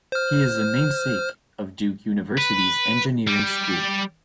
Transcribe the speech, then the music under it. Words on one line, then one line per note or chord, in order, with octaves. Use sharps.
He is the namesake of Duke University's Engineering School.
C5 F6
B4
G3